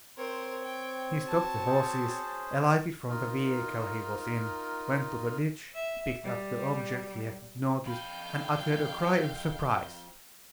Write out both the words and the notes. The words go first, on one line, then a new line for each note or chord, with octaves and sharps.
He stopped the horses, alighted from the vehicle he was in, went to the ditch, picked up the object he had noticed, and uttered a cry of surprise.
C4 A#4 C5 C#5
G5
F#4 A5
C#4 G#4 C5
D#4 F4 A#4
E5
G3
F2 F5 G5 B5 G6